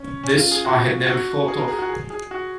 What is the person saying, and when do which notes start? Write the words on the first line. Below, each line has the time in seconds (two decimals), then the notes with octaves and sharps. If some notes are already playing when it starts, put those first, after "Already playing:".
This I had never thought of.
Already playing: C#4
0.23 C#4
0.37 F4
0.51 G#4
0.65 F#4
1.07 F#4
1.48 G#4
1.58 A#4
1.68 G#4
1.79 F#4
1.89 G#4
2.10 G#4
2.31 F#4